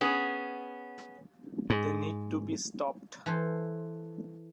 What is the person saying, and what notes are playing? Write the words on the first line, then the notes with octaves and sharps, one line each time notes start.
They need to be stopped.
B3 C#4 G#4
G#2
E3 A4 C5